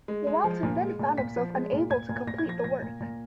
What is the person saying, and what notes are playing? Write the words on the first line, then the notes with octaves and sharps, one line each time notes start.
Walton then found himself unable to complete the work.
G#3
G#3
F3
A#2
G#3
A#2
A#2 B6
F3
G#3
A#2
A#2 G#6
A#2
A#2 A#6
G#6
F3 A#6
A#2 A#6
A#2
A#2